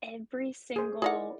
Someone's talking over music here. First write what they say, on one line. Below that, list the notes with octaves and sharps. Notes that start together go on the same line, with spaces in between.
every single
G#4 C5
D#4 E4 G#4 A#4 D5 F#5